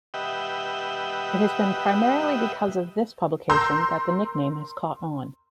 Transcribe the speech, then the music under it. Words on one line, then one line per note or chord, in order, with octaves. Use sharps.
It has been primarily because of this publication that the nickname has caught on.
G4 B4 D#5 E5 F#5 G5
A#4 A#5 C6 E6 G6